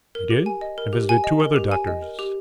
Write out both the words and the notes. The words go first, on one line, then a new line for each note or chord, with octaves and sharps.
He did, and visited two other doctors.
A#4
G4
G#5
D#5
A#4
G4
G#5
D#5
A#4
G4
G#5
D#5
A#4
G4